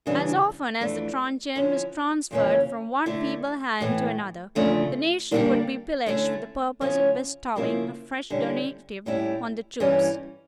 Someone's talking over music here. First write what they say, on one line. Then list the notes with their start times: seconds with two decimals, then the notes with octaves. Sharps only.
As often as the truncheon was transferred from one feeble hand to another, the nation would be pillaged for the purpose of bestowing a fresh donative on the troops.
0.06 E2 C#3 E3 G3 D4
0.80 F2 E3 A3 D4
1.56 D3 F3 C#4 E4
2.31 F2 C#3 E3 A#3 C#4
3.06 D3 A3 E4
3.80 A2 E3 A3
4.55 E2 C#3 F3 A3 D4
5.31 D3 G3 A#3 D4
6.06 D3 A3 C#4 E4
6.81 C#3 F3 C#4 E4
7.56 C#3 F3 A#3 E4
8.30 D3 G3 C#4 E4
9.06 A2 G3 C#4 E4
9.80 G2 E3 G3 C#4